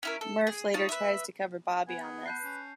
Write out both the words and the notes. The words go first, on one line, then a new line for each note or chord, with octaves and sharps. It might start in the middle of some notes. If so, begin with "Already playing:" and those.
Murph later tries to cover Bobby on this.
C#4 E4 A#4
A4
G#4
D#4 F4 C#5 A5
B4 E5
B3 G#5
G#4
B4 A5 G6 C7
C#4